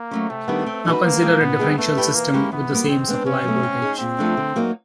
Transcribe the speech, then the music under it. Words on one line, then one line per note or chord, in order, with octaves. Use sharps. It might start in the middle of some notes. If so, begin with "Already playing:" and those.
Now consider a differential system with the same supply voltage.
Already playing: A#3
F#3 A3 C#4
C3 A3
D#3 G3 B3 D4
C4
D#4 F#4 B4
A2 A#3
F3 G#3 C4 F4
A#2 B3
G3 C4 D#4 G#4
A3 B3
E4 G4 B4 D5
E3 A#3
G#3 C#4 E4 G4
E3 B3
G3 A#3
D#3 C4
G#3 B3 D4
C#3 C#4
F#3 A3
C4
D#4 G#4
A#2 C4
F3 A3 D4
D3
F#3 A#3 D#4 F#4